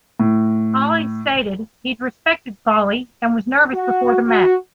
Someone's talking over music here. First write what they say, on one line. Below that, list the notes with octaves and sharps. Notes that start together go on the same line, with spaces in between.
Ali stated he'd respected Folley and was nervous before the match.
A2
F#4
F#4